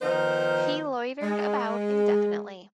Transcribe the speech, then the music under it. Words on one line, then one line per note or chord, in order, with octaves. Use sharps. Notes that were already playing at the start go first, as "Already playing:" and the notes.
He loitered about indefinitely.
D#3 F3 B3 D#4 A#4 C5
G#3